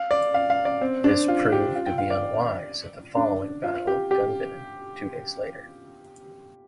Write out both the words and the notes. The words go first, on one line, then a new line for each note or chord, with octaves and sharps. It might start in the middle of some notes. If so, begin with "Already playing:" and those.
This proved to be unwise at the following Battle of Gumbinnen two days later.
Already playing: F5
D5
F5
F5
D5
C4
D4
F4
G4
F4
G5
F5
D5
D4
F4
G4
G4